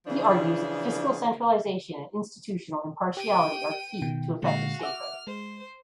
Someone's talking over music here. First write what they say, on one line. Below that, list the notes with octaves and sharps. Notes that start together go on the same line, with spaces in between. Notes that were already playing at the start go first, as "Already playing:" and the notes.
He argues that fiscal centralization and institutional impartiality are key to effective statehood.
C#3 E3 F3 D4
G4 G5 D#7
B2 D#3 G5
A#2 D3 G#3 F#4 F5
E5 F#5 D6 F6
G#3 C5